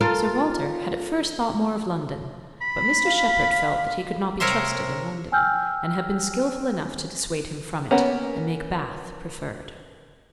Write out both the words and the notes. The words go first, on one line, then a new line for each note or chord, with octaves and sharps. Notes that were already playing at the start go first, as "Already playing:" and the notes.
Sir Walter had at first thought more of London; but Mr Shepherd felt that he could not be trusted in London, and had been skilful enough to dissuade him from it, and make Bath preferred.
F4 A4 A#4
B5
F5
C3 A#4 C#5 E5 C6
G5 G#5 E6 F6 G6
A#3 B3 C#4